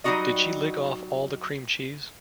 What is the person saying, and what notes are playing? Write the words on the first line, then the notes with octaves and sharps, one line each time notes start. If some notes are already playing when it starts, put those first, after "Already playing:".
Did she lick off all the cream cheese?
F#3 G3 A3 D#4 F#4 D#5